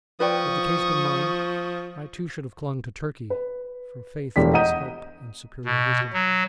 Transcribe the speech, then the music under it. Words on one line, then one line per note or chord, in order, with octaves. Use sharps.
Had the case been mine, I too should have clung to Turkey from faith in his help and superior wisdom.
F3 B4 D5 G5 C#6 D#6
B4
E1 A3 D4 G4 B6
D#5 F#5 A#5 D#6 G6 D#7
B2
F#3